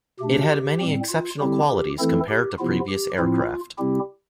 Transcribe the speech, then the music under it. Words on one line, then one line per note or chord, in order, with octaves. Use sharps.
It had many exceptional qualities compared to previous aircraft.
B2 A3 D4 G4
A2 G3 C4
F4
D3 G3 C4 E4 G4
G4
E3 A3 C4 E4 A4
G4
C3 F3 B3 E4 F4
G4
A2 F3 C4 E4 F4
C3 G3 C4 E4 G4